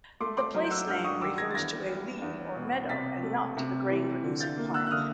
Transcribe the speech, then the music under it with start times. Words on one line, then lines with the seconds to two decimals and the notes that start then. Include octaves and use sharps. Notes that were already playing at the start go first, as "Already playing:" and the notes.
The place-name refers to a lea or meadow and not to the grain-producing plant.
0.20 A3 C6 D6
0.37 C6 D6
0.54 F#3
0.64 G6
0.71 E6 F#6
0.87 G2 F6 G6
1.04 C#6 D#6
1.21 D#3 D6 E6
1.38 G#6 A#6
1.51 A6
1.55 E2 G#6 A#6
1.89 G3
2.22 E2
2.56 B2
2.89 C3 A6 B6
3.23 A3
3.57 C3
3.90 E3
4.24 D3
4.40 G6 A6
4.57 A#3
4.74 E6 F#6
4.87 F#6
4.91 D3 D#6 F6